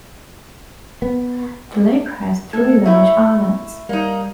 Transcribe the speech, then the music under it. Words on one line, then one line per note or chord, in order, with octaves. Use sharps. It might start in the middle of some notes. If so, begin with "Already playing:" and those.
The lake has three large islands.
B3
A3 A4 G#6
A3 E4 E5
G3 A#3 D#4